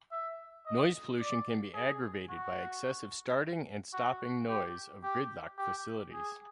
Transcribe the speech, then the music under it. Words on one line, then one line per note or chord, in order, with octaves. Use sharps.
Noise pollution can be aggravated by excessive starting and stopping noise of gridlocked facilities.
E5
D#5
D5
G#4
F#4
F#4
G4
G4
G4
G#4